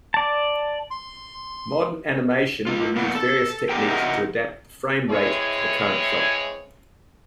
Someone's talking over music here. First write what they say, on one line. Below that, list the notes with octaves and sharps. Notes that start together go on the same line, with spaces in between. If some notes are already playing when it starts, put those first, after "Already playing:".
Modern animation will use various techniques to adapt the framerate to the current shot.
D5 A5
C6
G#3 F4
A#3 B3 E4
A4
D3 G4 A#4 G5
D#4 E4 F#4 A4 A#4
E3 G#3 C4 E4 G#4 C#5